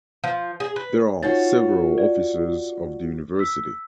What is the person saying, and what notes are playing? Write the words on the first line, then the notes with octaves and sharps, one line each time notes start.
There are several officers of the university.
F3
G#4
B4
D#4 F4 F#4 C#5 A6
D5
E6 B6